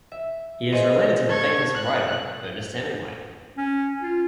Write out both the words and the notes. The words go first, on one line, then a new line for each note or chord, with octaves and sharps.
He is related to the famous writer Ernest Hemingway.
E5
G#4 C5 D#5
A4 C#6 G#6
F#6
C#4
F4